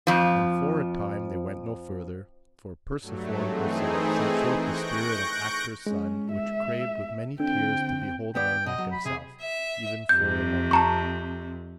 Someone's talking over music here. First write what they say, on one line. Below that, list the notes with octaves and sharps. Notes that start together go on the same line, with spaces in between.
And for a time they went no further, for Persephone herself sent forth the spirit of Actor's son which craved with many tears to behold men like himself, even for a moment.
F2 F3
G2 F#3 A3
E3 A3 C4 D#4 G#4
C#6 F#6 G6 A#6 D7
G#3 C#4
E5
D3 C4 G5
D#2 B3 D5 G5
B2 D#5
F#3
B5
C3 G#4
E5
F2 C3 G6
A5 A#5 C#6